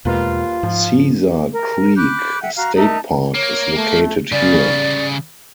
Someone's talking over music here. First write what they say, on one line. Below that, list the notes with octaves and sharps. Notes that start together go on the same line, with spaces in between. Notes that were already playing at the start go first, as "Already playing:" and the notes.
Caesar Creek State Park is located here.
D#1 E2 B2 G#3 A#3 F4 B4
G#2 F3
A#4
B5 D6 F#6 G6
E5 F#5 G5
F#4 F5 A#5
D#4 A#4 E5 A5
A#3 C#5
A3
C#3 G3 D5